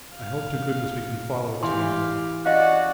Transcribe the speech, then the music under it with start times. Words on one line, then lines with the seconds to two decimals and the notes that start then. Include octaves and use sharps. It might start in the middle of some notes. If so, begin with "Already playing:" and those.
I hope to goodness we can follow it to-morrow.
0.13 F5
1.63 E3 G4 F5 G#5 C6
2.46 C#4 F#4 D5 D#5 F5